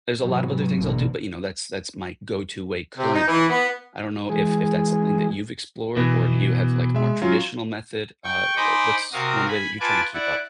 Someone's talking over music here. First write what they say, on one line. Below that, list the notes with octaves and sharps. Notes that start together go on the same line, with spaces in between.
there's a lotta other things I'll do, but, you know, that's that's my go-to way currently. I don't know if if that's something that you've explored, or do you have like more traditional method? Uh, wha what's one way that you try and keep up?
G#2 C3 E3 F#3 B3
G#1 E2 B2 D3 E3 A#3
C3
D#4
E3
B3
E3 G#3 G#4
B2 E3 B3
G#3 E5
F#3 C#4 F4
G5 C#6
D#4 C5 D#5 G#5 B5 D6
C3 F#4 A#4 F5 D#6
G#5 B5
F4 B4 G#5 A5 D6
E4 D5 F#5